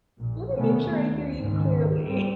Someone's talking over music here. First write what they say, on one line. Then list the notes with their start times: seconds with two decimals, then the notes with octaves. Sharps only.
Let me make sure I hear you clearly.
0.20 A#1 A#2
0.56 C3 D#3 A3 B3 C#4
0.87 D#2
1.34 C#2 G#2 D#3
2.03 G3 C4